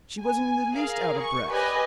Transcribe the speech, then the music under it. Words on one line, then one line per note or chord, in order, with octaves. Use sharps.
She wasn't in the least out of breath.
G#5
G#4 A#4 F5
C#6
G4 B4 D5 D#5 G#5